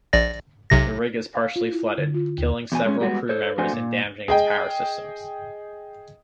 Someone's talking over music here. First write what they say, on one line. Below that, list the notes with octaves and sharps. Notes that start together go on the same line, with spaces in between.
The rig is partially flooded, killing several crew members and damaging its power systems.
A#1 D5 A#6
B1 C3 A#6
F5
F4
E4
D3
F4
D#2
E2 B2 G#5
G#3 B3 C#4
G3 G#3 B3 F#4 G#4
A4 C5 C#5
F2 A3 D4 F#4 C5 G#5
A#2
G#4 D#5 G5